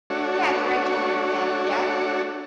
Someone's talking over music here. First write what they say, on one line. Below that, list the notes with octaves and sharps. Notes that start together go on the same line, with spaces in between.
Yeah. The Rachel haircut. Yep.
A3 D4 F#4 C#5